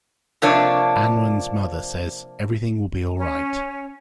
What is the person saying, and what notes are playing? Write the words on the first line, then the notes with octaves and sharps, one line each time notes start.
Anwen's mother says "everything will be alright".
C3 F3 A#3 D4 C#5
C#4